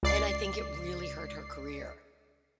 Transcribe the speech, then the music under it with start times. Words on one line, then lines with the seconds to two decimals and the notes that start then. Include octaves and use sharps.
And I think it really hurt her career.
0.03 C#2 D5 C7